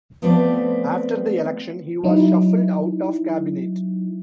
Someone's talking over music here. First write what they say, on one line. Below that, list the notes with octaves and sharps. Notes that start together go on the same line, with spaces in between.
After the election he was shuffled out of cabinet.
F3 A3 B3 C4 B4 D5
F#3 D#4 E4